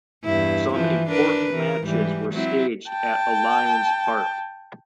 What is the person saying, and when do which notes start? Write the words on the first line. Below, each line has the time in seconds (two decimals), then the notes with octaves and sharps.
Some important matches were staged at Allianz Parque.
0.24 E2 G2 E4
0.73 E3 F3 E4
1.08 D4 A#4 B4
1.53 E3 A#4
1.84 G#2 E3 G3
2.34 F#3 C4 E4
2.90 G5 A5